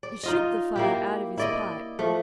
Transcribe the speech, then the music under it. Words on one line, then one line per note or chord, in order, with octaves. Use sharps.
He shook the fire out of his pipe.
D5
D#4 F4 D#5
A#3 E4 G4
E4 D5 D#5
F3 A3